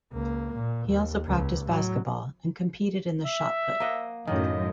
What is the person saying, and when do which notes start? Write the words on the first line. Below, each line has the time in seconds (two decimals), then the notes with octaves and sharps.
He also practiced basketball and competed in the shot put.
0.12 C#2 A#3
0.55 A#2
0.90 D#2
1.27 C#2
1.65 A2 F#3
3.26 E5
3.80 A#3 D#5 F#5
4.27 F#2 A2 D#3 A#3 D#5